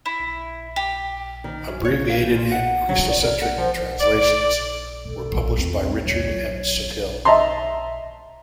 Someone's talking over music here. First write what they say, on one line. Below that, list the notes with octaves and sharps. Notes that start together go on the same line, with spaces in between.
Abbreviated and "cristo-centric" translations were published by Richard and Soothill.
E4
G4
D#3
F#2
C#5
F5
G4
A#2
F#5
F#3
D5
A#4
F#5
F3
D5
B2 A4
A#1
E2 C4
C4
D#2 G#2 C#5
F#3
D#5 E5 A5 A#5 C6